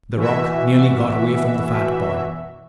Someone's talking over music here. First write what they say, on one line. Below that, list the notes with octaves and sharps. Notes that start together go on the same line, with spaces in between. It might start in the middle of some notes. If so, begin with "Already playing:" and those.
The rock nearly got away from the fat boy.
B2 E3 F#4 E5